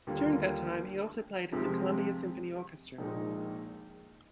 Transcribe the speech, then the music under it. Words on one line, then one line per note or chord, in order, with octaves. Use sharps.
During that time he also played in the Columbia Symphony Orchestra.
D#2 D3 G3 A#3 F4
F2 C3 F3 G#3 C4
A#1 A#2 G#3 D#4